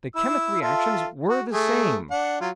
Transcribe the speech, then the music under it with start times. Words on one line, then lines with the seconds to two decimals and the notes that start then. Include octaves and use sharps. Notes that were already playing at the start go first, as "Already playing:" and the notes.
The chemic reactions were the same.
0.16 E4 E6
0.61 F4 A4 E5
1.29 F#4
1.52 A3 G#4
2.11 D4 F#5
2.41 F#3 F4